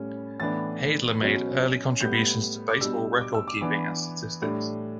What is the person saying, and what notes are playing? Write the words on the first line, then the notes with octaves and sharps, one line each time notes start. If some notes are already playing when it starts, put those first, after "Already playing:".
Heydler made early contributions to baseball recordkeeping and statistics.
Already playing: A2 G3 C#4
A2 E3 B3 D4 A6
B2 F#3 C#4
A2 G3 B3 G6
D6
B2 G3 D4 E6
D6
E6
D6
E3 B3 D4 D6
A2 G3 D4